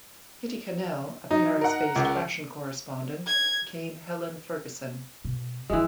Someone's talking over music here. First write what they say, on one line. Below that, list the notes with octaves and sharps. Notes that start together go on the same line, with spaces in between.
Kitty Cannell, a Paris-based fashion correspondent, became Helen Ferguson.
F#3 D#4
A#4 F#5
C#2
G#6
B2
D2 E3 F3 G#3